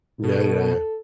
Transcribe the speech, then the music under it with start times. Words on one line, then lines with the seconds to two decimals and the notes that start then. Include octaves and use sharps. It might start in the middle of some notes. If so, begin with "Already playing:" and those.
Yeah, yeah, yeah.
0.23 B2 A4